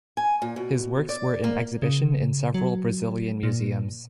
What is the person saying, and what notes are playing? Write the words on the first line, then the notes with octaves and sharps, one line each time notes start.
His works are in exhibition in several Brazilian museums.
G#5
A#2
B2
D5
A#3
C#3
F#3
A#2